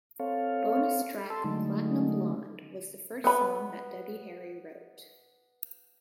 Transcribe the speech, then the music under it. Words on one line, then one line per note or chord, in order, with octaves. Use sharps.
Bonus track "Platinum Blonde" was the first song that Debbie Harry wrote.
C4 A4 C#5 F5
A4 A5 C6 E6
D3 F#3 G#3 A3 D#4
B3 B4 B5